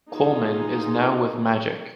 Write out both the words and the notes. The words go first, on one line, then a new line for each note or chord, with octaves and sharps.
Colman is now with Magic.
B3 D#4 F4 G4 G#4